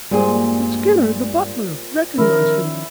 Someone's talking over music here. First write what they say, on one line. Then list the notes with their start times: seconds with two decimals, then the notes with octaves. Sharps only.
"But Skinner--the butler--recognised him?"
0.11 G2 A#2 G3 G#3 G#4 C5
2.18 D#3 F3 C#4 E4 A#4